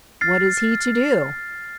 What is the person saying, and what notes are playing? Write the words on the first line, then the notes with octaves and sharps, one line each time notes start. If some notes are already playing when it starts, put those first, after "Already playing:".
What is he to do?
F6 A6 C7
F6
F6